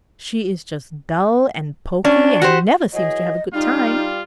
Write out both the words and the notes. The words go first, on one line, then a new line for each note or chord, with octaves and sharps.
She is just dull and poky and never seems to have a good time.
C#4 D4
F#4 G4 C5
E3 F#3 G#4 D#5
G3 D#4 F4